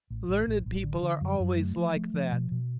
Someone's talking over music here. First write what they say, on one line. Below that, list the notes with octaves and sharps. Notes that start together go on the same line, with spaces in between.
Learned people are always like that.
A1
A1
A1
A1
D3
D3
F#2
F#2
A3
F3
A3
F3
B2
B2